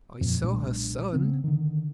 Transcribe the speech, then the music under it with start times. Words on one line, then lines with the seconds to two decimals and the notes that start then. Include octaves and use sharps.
"I saw her son."
0.21 F2 A#2
0.42 B1 A#2 G#3 D4
1.13 C#3 B3 C4
1.44 D3 D#3